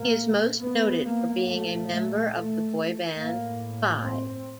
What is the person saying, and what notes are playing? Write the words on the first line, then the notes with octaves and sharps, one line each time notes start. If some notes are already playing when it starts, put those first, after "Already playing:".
He is most noted for being a member of the boy band Five.
Already playing: A#2 A#3
B3
A#3
A#2 A3
A3
A3
A2 A#3
C4